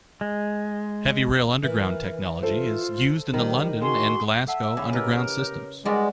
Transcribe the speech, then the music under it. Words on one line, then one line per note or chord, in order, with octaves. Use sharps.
Heavy rail underground technology is used in the London and Glasgow Underground systems.
G#3
E3 A#4
F4 A4 C5
D#3 G3
F#4 G#4 C6
A4 E5 F#5 A5
C#3 G5 B5 D6
E4 G4 A#4 B4 D#5 E6
C#5
G3 G#3 B3 F#4 A#4 D5